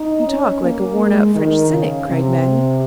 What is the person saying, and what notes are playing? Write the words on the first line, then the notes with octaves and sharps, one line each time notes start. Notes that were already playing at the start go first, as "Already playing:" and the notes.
"You talk like a worn-out French cynic," cried Mattie.
Already playing: D#4
C#4
A#3
G#3
D#3
C#3
C3